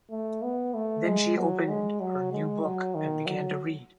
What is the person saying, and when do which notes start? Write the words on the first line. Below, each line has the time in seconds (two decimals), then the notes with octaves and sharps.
Then she opened her new book and began to read.
0.11 A3
0.43 B3
0.74 A3
1.06 G#3
1.38 F#3
1.69 G#3
2.00 F#3
2.32 G#3
2.64 F#3
2.95 D#3
3.26 F#3